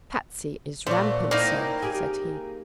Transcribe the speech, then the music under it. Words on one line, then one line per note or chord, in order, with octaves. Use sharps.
"Patsy is rampant, sir," said he.
A#2 A3 F#4 C5 D5
A#3 C4 C#4 D#4 E4 D5
G4 G#4